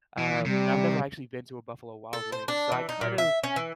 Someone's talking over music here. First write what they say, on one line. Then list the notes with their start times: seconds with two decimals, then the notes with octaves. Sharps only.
um, I've never actually been to a Buffalo Wild Wings, so, I kind of
0.18 E3
0.45 C3 G3
2.13 A4
2.32 C5
2.48 D4
2.72 E3
2.89 D#4
3.01 A#2
3.18 E5
3.44 C#4
3.56 E3